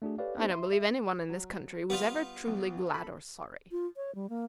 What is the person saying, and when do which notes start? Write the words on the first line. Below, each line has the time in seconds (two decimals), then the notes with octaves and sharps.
I don't believe any one in this country was ever truly glad or sorry.
0.02 A3 D4 F#4 G#4
0.18 G4 A4 B4 C#5 D5 F5
0.37 A#3 B3 D4 D#4 G4 C5
0.50 E5 C6
0.72 E5
1.29 F#3
1.90 G3 B3 F4
2.47 B1
2.90 A4 B5
3.72 F4
3.96 C#5
4.15 G3
4.30 A#3